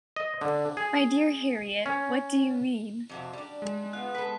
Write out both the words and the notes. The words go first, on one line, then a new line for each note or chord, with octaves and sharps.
My dear Harriet, what do you mean?
D#5
D3
G#4
C#4
F2 C3 F#4
G3 D4
G#3
B3 F4 F#6
A4 B4 B6